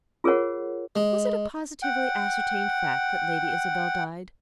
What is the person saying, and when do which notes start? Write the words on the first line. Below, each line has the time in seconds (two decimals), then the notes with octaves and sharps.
"Was it a positively ascertained fact that Lady Isabel died?"
0.24 F4 G#4 A#4 C#5 F#5
0.96 G#3
1.83 F#5 G5